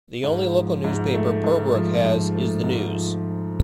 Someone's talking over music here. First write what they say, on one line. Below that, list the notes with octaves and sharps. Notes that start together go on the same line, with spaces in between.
The only local newspaper Purbrook has is "The News".
G#2
F3
G#2
A3
G#2
F3
G#2
A3
G#2
F3